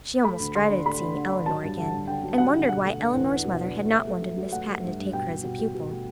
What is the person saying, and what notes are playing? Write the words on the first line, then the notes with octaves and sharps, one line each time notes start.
She almost dreaded seeing Elinor again, and wondered why Elinor's mother had not wanted Miss Patten to take her as a pupil.
A3 B5
D2
D3 C6
D4
A3 B5
D4
D3
D4
F#3 A5
G2
D3
G2
D3 G5
F#3
F#3 F#5
D3
B2 F#5
A3
D4
E2
D4
B2
D4
A3
A3 E5
A3
F#3
F#3
A3 F#5
A3
G2
G2
B2 G5
B2
B2
B2
B2
A3